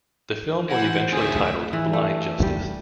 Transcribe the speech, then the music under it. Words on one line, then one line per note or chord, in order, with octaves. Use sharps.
The film was eventually titled "Blind Justice".
E3 C5 F#5
D2 D3 C#4 G#4 E5
E3
A3
G3